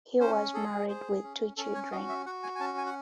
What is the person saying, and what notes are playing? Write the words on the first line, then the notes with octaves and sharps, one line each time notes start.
He was married with two children.
C#4 C5
G#4 A4
G#4 C5
C#4
C#4 A4
C#5
F#4 D#5
E5
F#4 F#5
G#5
G#5
C#4 A5
G#5
F#5